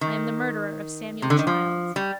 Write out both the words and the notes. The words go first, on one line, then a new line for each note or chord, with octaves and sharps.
I am the murderer of Samuel Childs.
D#3
C3
D3
D#3
F3
G3